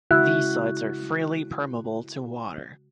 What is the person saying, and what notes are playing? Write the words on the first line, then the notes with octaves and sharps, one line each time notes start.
These sites are freely permeable to water.
C#3 G#3 E4 F#4 F#6